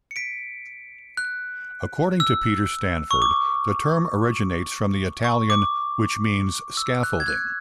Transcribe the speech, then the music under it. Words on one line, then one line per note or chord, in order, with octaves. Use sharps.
According to Peter Stanford the term originates from the Italian ', which means scaffolding.
C#7
B6 D7
F#6
E6
C#6
D6
C#6
D6
E6
F#6
G#6
F#6